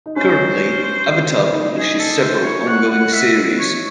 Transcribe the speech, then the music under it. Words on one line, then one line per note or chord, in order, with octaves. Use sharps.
Currently, Avatar publishes several ongoing series.
D#4
C#4 C5
D#4
G#4
A4
C5
C#5
F#5
F#5
E5
C#5